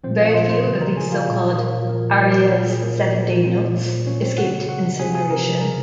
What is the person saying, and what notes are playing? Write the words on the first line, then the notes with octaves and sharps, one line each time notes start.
Very few of these so-called "Arias Seven Day" notes escaped incineration.
A#2 F3 C4 C5
F4 F5
A#2 F3 C5 C6
C5 C6
C#3 F3
A#4 A#5
C#3 F3 G#4 G#5
F4 F5
A#2 F#3
A#2 F#3 A#4
A#2 F3 A#4
A#2 F3 A#4
A#2 F#3
G#4
A#2 F#3 A#4
A#2 F3
A#2 F3 C4 C5
A#2 F#3
A#2 F#3 C#4 C#5
C4 C5
C#3 F#3 F#4 F#5
C#3 F#3 F#4 F#5
C3 F3 G#4 G#5
G#4 G#5
C3 F3 A#4 A#5
C#3 F#3 A#4 A#5